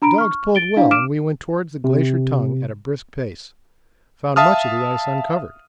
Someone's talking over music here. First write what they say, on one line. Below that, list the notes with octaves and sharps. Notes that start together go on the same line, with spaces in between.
The dogs pulled well, and we went towards the Glacier Tongue at a brisk pace; found much of the ice uncovered.
D4 A#5 B5 D7
C#6 F6
A6 D7 G7
D4 E4 F5
D6 F6 D7 E7
C3
E5 F5 A5 D#6 F6